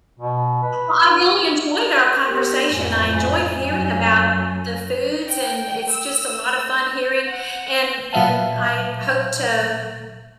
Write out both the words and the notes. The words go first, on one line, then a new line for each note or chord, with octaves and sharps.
Well, I really enjoyed our conversation. I enjoyed hearing about the foods, and it's just a lot of fun hearing and and I hope to,
B2
B4
B3 G4 A#4
F2 A2 G#5
F#2
G5
E6
F#5
A#2 F#3 E5 F5 A5